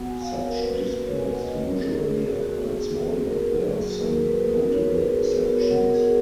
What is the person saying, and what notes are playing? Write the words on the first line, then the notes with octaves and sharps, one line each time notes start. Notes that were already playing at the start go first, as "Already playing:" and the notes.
Such displays usually are quite small, but there are some notable exceptions.
Already playing: B3 F#4 F#5
G#5
F5
C#5
A#4
A#3 C#4 F#4 B4
C#5
G#5
F#5
D#5
G#3 B3 F#4 C#5
A#4
G#4
G#4
F#4
G#4
F#4
F#4
B3 D#4 F#4 G#4
G#4
G#4
G#4
F#4
G#4
A#4
B4
F#3 A#3 F4
G#4
F#4
G#4
A#4
B4
B3 D#4 F#4 A#4
C#5
B4
G#4
B3 F#4 A#4
C#5
F#5
A#4
G#4